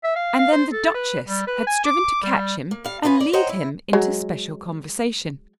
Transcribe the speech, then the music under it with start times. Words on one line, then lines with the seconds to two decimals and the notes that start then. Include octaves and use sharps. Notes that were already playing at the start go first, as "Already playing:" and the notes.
And then the Duchess had striven to catch him, and lead him into special conversation.
0.04 E5
0.16 F5
0.39 F5
0.52 C5
0.72 A4
0.94 B4
1.27 G3
1.47 B4
1.67 G#5
1.85 D6
2.23 G3
2.71 A#3
2.84 G3 F5
3.03 B3 E4 F4 B4 G#5
3.20 D5
3.33 C5 C#5 D#5 F#5 G5 A#5
3.49 E4
3.93 F#3 G#3